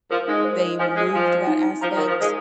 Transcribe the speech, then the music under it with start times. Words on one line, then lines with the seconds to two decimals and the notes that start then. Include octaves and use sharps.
they removed that aspect
0.10 F3 A#4
0.28 G#3 D#4
0.45 C5
0.62 D#5
0.78 F3 G#5
0.96 G#3 G#5
1.13 F3 G#5
1.30 G#5
1.47 D#4
1.64 D#4
1.81 F3 A#5
1.95 D#3
1.98 A#4
2.07 F3
2.16 G#3 A#4